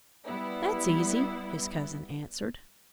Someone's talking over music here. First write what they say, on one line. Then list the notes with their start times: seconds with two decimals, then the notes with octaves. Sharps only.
"That's easy," his cousin answered.
0.26 G3 B3 E4